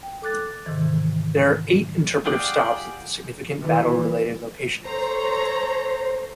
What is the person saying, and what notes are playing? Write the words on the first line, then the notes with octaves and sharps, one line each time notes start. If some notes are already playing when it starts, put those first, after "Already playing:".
There are eight interpretive stops at significant battle-related locations.
G5
A4 D6 F#6 A6
G#2 C3 D#3 E3
F4 G4 G#4 D5 F#5
E3
A4 C5 C#5 A#5